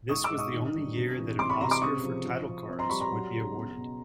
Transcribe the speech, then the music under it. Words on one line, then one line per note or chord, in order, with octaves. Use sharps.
This was the only year that an Oscar for title cards would be awarded.
G#2 C#6 D#6
D6 E6
G#2
C#6 D#6
D#3
G2
C3
E3
C3 C6 D6
B5 C#6
C3 A#5 C6
C6 D6
C#3 C#6 D#6
F3
F3
F3
C4
A#5 C6
G3 B5 C#6
A#5 C6
F#3
C#3
B3
B2